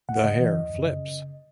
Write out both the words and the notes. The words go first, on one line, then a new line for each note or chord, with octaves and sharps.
The hair flips!
D#2 F#5
C#3 D#5
E3
D#2
F#2
C#3